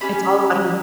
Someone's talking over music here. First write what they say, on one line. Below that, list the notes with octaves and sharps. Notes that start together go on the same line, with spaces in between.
It's all about him.
C#4 G4 B5